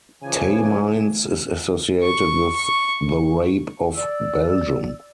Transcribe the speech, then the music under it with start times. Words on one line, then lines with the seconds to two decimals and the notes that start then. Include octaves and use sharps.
Tamines is associated with the Rape of Belgium.
0.22 C#3 E3 F3 G#5
2.03 C#6
2.56 C#6
3.94 D5 E6